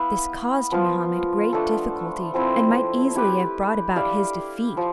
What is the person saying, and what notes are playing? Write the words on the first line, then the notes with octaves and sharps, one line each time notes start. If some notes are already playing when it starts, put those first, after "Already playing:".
This caused Mohammed great difficulty and might easily have brought about his defeat.
Already playing: B3 E4 B4 F5
F3 B3 F4
A3 D4 A4
F3 C4 E4
E4 G4 B4
E4 G4 D5 F5
F3